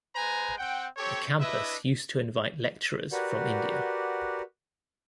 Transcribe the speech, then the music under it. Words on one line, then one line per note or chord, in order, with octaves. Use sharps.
The campus used to invite lecturers from India.
G#3 B4 C5 G#5 A#5
C4 F#5 G5
C4 G4 A4 C#5
D4 E4 B4 D#5 E5
F#4 G4 A#4 B4 D5 F#5